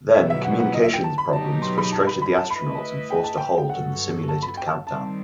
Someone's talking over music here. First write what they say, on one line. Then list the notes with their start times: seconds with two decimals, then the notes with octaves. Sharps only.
Then, communications problems frustrated the astronauts and forced a hold in the simulated countdown.
0.14 B2 F#3 B3 E4 E5
0.30 E5
0.45 F#5
0.60 F#5
0.74 D#5
0.84 E5
0.93 G5
1.04 A5
1.18 B5
1.33 B2 F#3 B3 D#4 G4 A5
1.62 C6
1.78 B5
1.92 A5
2.07 B5
2.22 B5
2.36 A5
2.50 A3 E4 B4 D#5 B5
3.10 G5
3.24 A5
3.37 G5
3.58 G5
3.69 G2 F#3 B3 F#4 A4 F#5
4.28 A5
4.43 B5
4.57 G5
4.67 A5
4.87 D#3 G3 C4 A5